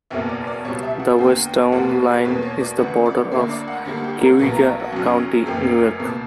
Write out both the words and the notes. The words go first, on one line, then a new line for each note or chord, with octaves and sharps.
The west town line is the border of Cayuga County, New York.
F#1 E2 B2 A#3 E5
D5
D5
C#2 B2 G3 C#5
E5
F#5
E2 D3 A#3 G5
G5
E2 B2 G3 A#3 F#5
B4
B4
E2 B2 A#3 B4
C#5
D5
D2 C#3 E3 F#5
D5
D2 D3 A#3 E5
D5
F#5
D2 D3 G3 A#3
G4
A#4
B1 B2 F#3 A#3 B4
A#5
A#5
F#5
F#1 F#2 C#3 F#3
F#1 F#2 E3 A#3 G5
C#2 B2 A#3